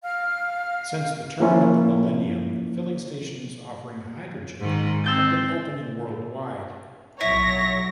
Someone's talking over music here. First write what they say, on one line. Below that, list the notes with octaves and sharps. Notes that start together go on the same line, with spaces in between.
Since the turn of the millennium, filling stations offering hydrogen have been opening worldwide.
F5 F6
F3 A#3 C#4 E4 F4
G#2 D#3
C4 E6 G6 A6
B1 F#3 E4 C#5 A#6